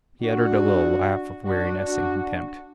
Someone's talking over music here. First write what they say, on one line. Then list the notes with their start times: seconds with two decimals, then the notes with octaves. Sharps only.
He uttered a little laugh of weariness and contempt.
0.21 D4 F#4
1.44 D4 F#4
1.85 D4 F#4